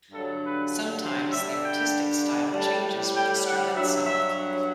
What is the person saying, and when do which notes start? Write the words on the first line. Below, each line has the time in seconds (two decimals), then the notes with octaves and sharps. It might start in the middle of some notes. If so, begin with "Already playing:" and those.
Sometimes, the artistic style changes within the strip itself.
0.11 G2 D3 F#3 A4
0.43 B4
1.02 C5
1.33 G2 D3 G3 E5
1.62 G5
2.53 A2 G3 A5
3.14 G5
3.45 F#5
3.74 G2 F#3 E5
4.05 E5